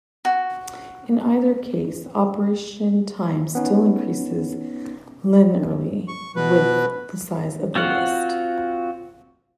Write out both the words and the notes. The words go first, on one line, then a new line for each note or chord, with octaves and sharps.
In either case, operation time still increases linearly with the size of the list.
F#4
B3 C#4 D#4
C#6
B2 B4
C4 F4 F#4 F#5